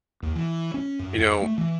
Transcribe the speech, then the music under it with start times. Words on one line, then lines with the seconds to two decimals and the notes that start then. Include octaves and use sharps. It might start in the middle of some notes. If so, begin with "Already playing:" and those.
You know
0.22 D#2
0.35 E3
0.74 C#4
0.99 F#2
1.18 F2
1.42 A3
1.58 E3